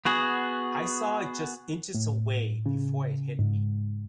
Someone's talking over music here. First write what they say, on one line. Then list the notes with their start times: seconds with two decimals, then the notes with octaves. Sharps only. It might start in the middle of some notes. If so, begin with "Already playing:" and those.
I saw it just inches away before it hit me.
0.05 B3 F#4 G#4
1.95 A2
2.66 C#3
3.39 G#2